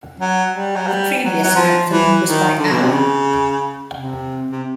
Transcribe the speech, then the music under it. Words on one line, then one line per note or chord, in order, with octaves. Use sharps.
The previous anthem was by Aur.
F#3
G3
F#3
G3
F#3
F#3
F3
E3
D#3
D3
B2
C3
C#3
C3
C3